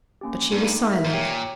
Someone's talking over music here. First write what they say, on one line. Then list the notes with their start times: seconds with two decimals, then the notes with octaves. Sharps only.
But she was silent.
0.21 A#3 C#4 G4
0.52 G2 A#3 D#4 G4
0.82 D#4 A#4 E5
1.05 G#2
1.13 A#2 G4 C#5 G5